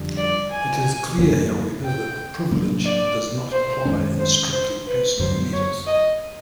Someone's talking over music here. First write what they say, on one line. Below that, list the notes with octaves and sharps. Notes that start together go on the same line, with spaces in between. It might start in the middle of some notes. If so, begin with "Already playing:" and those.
It is clear, however, that the privilege does not apply in strictly personal matters.
Already playing: F2 D3 G3
D5
G#5
F#2 D3 F#3 A#3
G5
A2 F#3 A#3 D4
D5
C5
F#2 D#3 G#3 C#4
C5
C5
B4
F#2 D3 F#3 C5
C#5
D#5